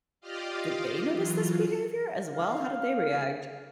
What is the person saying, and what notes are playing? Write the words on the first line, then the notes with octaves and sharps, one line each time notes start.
did they notice this behavior, as well? How did they react?
F4 G4 D5 D#5 F5
E3 F#3 F4
F5